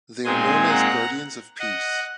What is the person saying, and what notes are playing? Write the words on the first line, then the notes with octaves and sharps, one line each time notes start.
They are known as "Guardians of Peace".
A#2 G#3 C4 D#4 G#5 C6
F#5 A#5
D#5 F#5